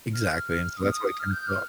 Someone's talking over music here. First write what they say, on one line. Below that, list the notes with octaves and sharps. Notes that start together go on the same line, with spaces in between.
Exactly. And so that's why I kinda felt.
F6
D#6
D#6
D#6
F6
G6
F6